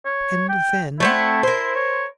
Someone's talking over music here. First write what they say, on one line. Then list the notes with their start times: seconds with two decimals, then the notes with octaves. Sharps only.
"And then?"
0.05 C#5
0.49 G5
1.00 A3 C4 E4 F#5
1.43 E4 A#4 C5
1.75 C#5